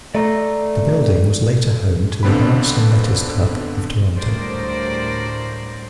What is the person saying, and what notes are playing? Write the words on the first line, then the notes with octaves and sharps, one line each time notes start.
The building was later home to The Arts and Letters Club of Toronto.
A3 D5 A#5
B1 D3 B3 C4 D4 B5
D2 A2 G3 A#4 C5 D5